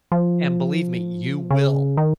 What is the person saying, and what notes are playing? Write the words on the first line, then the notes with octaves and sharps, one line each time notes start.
And believe me, you will.
F3
C#3
D#3